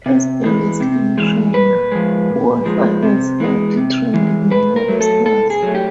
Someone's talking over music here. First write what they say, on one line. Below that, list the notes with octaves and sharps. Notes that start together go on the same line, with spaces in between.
As a wrestling trainer Wolfe has helped trained many wrestlers.
C3
E3 G#3
C3
E3 G#3
A#2 B4
F3 G#3
A#2
F3 G#3
C3
E3 G#3
C3
E3 G#3
B2 B4
A#4
F#3 A3
A4
B2 A4
G#4
F#3 A3
G4